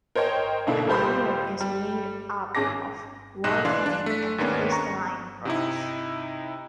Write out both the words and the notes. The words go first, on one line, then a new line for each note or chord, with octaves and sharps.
The island is made up of volcanic and crystalline rocks.
A#4 C5 C#5 D#5 G5
B2 D3 A#3 D4 E4 A4
C#2 G3 G4 C5 B5
G3
G#1 C#4 G#4 D6 A#6
B1 G#2 D#5 F#6 E7
E3 D4 F5 C6
D4
A3 B6
D#2 G#2 A#3 B3 C#4 D4
A#5 C#6
C3 D#4 E4